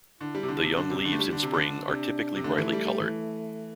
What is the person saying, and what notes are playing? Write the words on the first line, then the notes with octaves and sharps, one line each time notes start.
The young leaves in spring are typically brightly coloured.
D3 E4
G3
C3
D3
C3
D3 D4
C3
D3
A3
G3
D3
C3
D3
C3 D4
C3
D3 A3
E3
G3
G3
E3